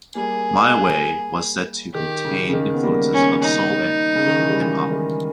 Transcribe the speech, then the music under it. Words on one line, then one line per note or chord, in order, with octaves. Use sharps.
"My Way" was said to contain influences of soul and hip hop.
G3 A#3 G#4
D#3 G4
C#3
C#3
D#3
B3
G3 A#3
C#4
D#4
C#3
D#3
E3
G3
E3 G#3
D#3